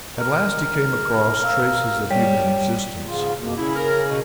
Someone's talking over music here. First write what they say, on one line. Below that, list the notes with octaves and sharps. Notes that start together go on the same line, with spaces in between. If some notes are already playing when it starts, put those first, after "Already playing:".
At last he came across traces of human existence.
A#4
F5 E6
G3 C#5 G5 B6
G#2 C#3 F4
F2 B2 A#3
C#3 C#4 E4 G#4
A#4
B2